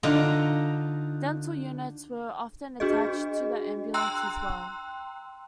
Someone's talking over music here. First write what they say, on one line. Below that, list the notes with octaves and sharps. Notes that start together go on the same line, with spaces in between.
Dental units were often attached to the ambulance as well.
D3 D#4 F4 A#5
D4 F#4 G#4 D#5
G5 A#5 C6 E6 F#6